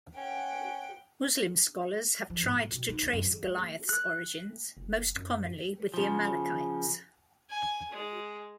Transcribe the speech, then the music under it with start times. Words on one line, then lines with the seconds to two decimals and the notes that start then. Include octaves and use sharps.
Muslim scholars have tried to trace Goliath's origins, most commonly with the Amalekites.
0.17 C#4 F#5 G5
2.30 F3
2.43 G#2
2.56 A1
2.72 B2
2.88 D#4
3.02 D2
3.13 F#2
3.30 E2
3.44 G#3
3.58 A#3
3.89 F#6
4.77 F#1
5.16 F#2
5.94 C#3 F3
7.50 G#5
7.91 G#3